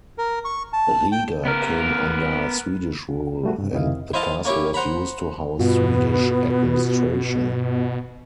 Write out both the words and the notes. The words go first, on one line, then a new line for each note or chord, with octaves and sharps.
Riga came under Swedish rule and the Castle was used to house Swedish administration.
A#4
C#6
A5
G5
B3 A#4
G3 A3 F#4
G2 C3
F2 C3 D#3 E4 D#5 F5
E4 C5 D#5 F5 A5
A#3 C#4 E4 G4
C5 F#5 A#5 B5
G2 B2 B3 F4 F#4